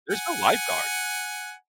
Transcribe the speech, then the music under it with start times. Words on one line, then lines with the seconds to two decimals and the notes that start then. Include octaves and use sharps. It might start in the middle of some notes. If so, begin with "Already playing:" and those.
There's no lifeguard,
0.11 F#5 G#5